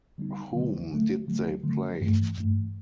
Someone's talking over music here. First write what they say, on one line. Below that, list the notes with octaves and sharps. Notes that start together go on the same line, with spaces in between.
Whom did they play?
D3 G3 B3 D#4
D3 F#3 A3
D3 F#3 A3
D3 F#3 A3
D3 F#3 A3
G2 E3 A3
G2 E3 A3